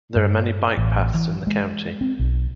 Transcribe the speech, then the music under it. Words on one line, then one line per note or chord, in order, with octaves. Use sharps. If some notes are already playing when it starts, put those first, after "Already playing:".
There are many bike paths in the county.
G2
A1
E3
G#3
C4
B1